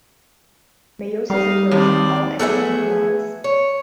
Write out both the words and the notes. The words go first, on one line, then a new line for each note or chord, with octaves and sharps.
Meiosis occurs in all animals and plants.
G3 D#4 F5
D#2 C4 D5
A3 B3 G#4 E5
C#5